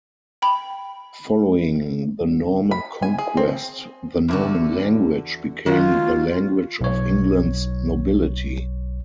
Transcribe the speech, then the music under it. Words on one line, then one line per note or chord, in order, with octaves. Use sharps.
Following the Norman conquest, the Norman language became the language of England's nobility.
G5 B5
B5
G#5
G#4
C4
E2 D3 F#4
D#3 C#4 F4 F#4
B1 C#5